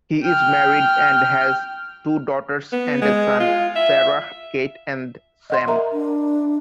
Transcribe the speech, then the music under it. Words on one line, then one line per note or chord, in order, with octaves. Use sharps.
He is married and has two daughters and a son, Sarah, Kate and Sam.
G5 F6
B3
G#3
F4
E5
D#5 F#5 C6
A#4 E5 A#5
D4